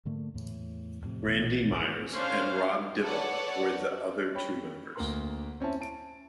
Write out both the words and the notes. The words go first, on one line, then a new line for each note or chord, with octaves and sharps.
Randy Myers and Rob Dibble were the other two members.
G#2 D3 A3 A#3
E2 A2
F2 A2 C3
A#1 B2 E3
G#1 C#2 G#2 D#3
C#4 D4 C5 F5
A4 B4 C#5 D5 F#5
C#5 G5 B5
D2 A#3 A#4 C6
C4 C#4 E4 A5
A5 D7